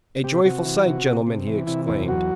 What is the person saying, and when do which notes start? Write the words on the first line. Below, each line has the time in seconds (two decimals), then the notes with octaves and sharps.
"A joyful sight, gentlemen!" he exclaimed.
0.24 C3 G4
0.45 C3 F#4
0.65 E3
0.86 C3
1.06 C3
1.27 C3
1.47 E3
1.67 C3 E4
1.88 E2 E4
2.08 F#3 F#4